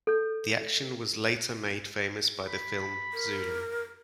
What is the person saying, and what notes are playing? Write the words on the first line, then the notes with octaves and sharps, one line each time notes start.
The action was later made famous by the film "Zulu".
A4 G6
B5
A#4